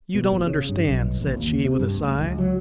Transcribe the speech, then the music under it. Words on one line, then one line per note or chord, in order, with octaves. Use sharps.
"You don't understand," said she, with a sigh.
B2
A1
C#3
G2
B1
A1
D#2
C3
G2
D2
C#2
F#3